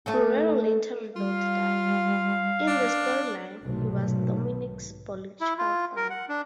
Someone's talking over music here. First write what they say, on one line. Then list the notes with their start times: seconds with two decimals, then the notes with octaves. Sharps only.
Guerrero later revealed that, in the storyline, he was Dominick's biological father.
0.06 A3 C#4 A4
1.16 G3 F4 F5
2.67 D4
3.63 B1 G#2 C3 D#3 F#3 A3
5.41 E4
5.58 F4
5.97 A#4
6.10 F#5
6.29 D4